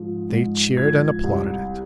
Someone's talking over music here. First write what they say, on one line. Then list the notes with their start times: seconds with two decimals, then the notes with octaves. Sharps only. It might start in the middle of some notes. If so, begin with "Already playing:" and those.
They cheered and applauded it.
Already playing: G#2 F3
0.30 G#2
0.77 F3 G#6
1.24 C2